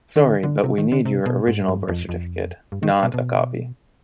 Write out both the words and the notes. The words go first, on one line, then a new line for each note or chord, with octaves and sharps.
Sorry, but we need your original birth certificate, not a copy.
D#3
D3
D3
C3
D#3
D3
C3
B2
G#2
G2
F2
F2
G2
D#3
B2
B2